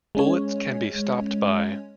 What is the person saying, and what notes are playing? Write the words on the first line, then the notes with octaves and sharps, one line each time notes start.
Bullets can be stopped by...
G#3 C#4 C#5